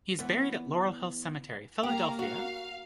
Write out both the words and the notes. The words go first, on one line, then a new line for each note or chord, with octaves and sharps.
He is buried at Laurel Hill Cemetery, Philadelphia.
E2 B3
A#3 G4 F5 A#5
F#4 F5